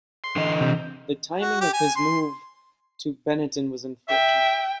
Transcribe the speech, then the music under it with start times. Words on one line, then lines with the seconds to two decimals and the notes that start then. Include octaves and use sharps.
The timing of his move to Benetton was unfortunate.
0.24 C6
0.36 D3 E3 D#5
0.61 C3
1.41 F#4
1.61 G4
1.73 G#5
1.96 C6
4.09 E5 G5